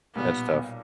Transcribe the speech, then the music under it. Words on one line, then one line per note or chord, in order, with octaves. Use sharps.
That's tough.
B1 A#2 G3 B3